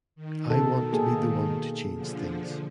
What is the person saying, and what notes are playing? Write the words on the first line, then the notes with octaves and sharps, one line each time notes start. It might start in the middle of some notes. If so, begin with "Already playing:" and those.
I want to be the one to change things.
D#3
B2 A4
A#3 G#4 A4
D3 F3